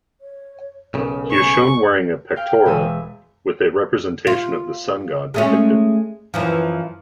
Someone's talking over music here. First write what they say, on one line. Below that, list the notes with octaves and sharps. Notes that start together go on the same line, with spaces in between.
He is shown wearing a pectoral with a representation of the sun god depicted.
C#5
B1 C#3 A#4
G#5 C#6
F5 G5 F6
E1 E3 G#3 E5 G#5
F4
G#3 A3 C#4
F#2 E3 F3